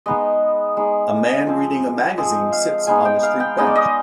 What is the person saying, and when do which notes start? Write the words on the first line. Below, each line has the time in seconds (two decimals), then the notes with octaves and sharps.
A man reading a magazine sits on a street bench.
0.06 G#3 B3 D#4 D#5
0.77 G#3 B3 D#4
1.47 F3 G#3 C4
2.17 F3 G#3 C4 D#5
2.52 F5
2.87 G#3 B3 D#4 G#5
3.05 G5
3.23 F5
3.40 G5
3.58 G#3 B3 D#4 D#5
3.67 D5
3.76 D#5